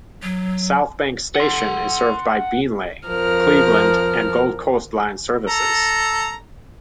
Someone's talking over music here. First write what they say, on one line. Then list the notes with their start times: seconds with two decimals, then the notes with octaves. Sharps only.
South Bank station is served by Beenleigh, Cleveland and Gold Coast line services.
0.23 F#3
1.36 F#5 C6
3.07 F2 F3 A#4 F6
5.47 A4 A#5